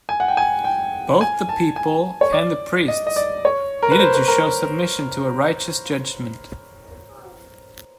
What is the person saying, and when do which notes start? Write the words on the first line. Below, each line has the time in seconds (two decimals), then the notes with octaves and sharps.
Both the people and the priests needed to show submission to a righteous judgement.
0.09 G#5
0.20 F#5
0.28 G5
0.37 G#5
0.64 G5
1.21 G#5
1.49 A5
1.76 G#5
2.21 C#5
2.33 D5
2.88 D#5
3.07 D#5
3.16 D5
3.45 C#5
3.83 A#4
3.92 B4
4.00 C5
4.15 B4
4.28 A#4